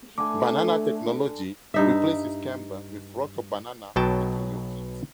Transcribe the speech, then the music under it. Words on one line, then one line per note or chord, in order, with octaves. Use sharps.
Banana Technology replaces camber with rocker "Banana" between your feet.
D3 A3 G#5 D6
G2 D#4 E5
B1 B2 F#3 G5 A5